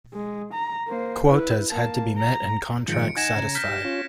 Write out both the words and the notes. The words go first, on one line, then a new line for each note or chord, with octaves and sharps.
Quotas had to be met and contracts satisfied.
G#3
A#5
A#3 C5
E4 B4
A#3 A5
A#5
G#2 D#3 F3 C#7 D7
D#4 F#5 G#5 G#6 A#6 E7
C#3 A#5
F6 G6 B6
G4
C#4 F4